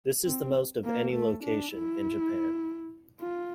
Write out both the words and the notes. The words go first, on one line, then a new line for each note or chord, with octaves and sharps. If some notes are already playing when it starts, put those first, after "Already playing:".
This is the most of any location in Japan.
C4
A#3
A3
D4
E4
F4